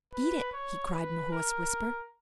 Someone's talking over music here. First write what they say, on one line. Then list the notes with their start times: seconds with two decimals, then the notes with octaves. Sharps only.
"Beat it!" he cried in a hoarse whisper.
0.14 B4
0.53 C#5
0.92 B4
1.31 A#4